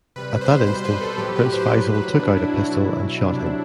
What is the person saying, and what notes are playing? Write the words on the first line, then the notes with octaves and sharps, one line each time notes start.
At that instant, Prince Faisal took out a pistol and shot him.
C3 G3 B4
C5
B2 G3 C5
B4
A4
A2 F#3 G4
B4
C5
A2 F#3 B4
B4
B2 F#3 D4
E4
F#4
B2 F#3 E4
C3 F#3 D4
E4